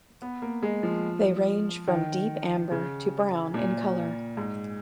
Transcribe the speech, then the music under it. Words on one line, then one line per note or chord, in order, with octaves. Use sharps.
They range from deep amber to brown in colour.
B3
A#3
G#3
F3
D#3
C#3
A#2
G#2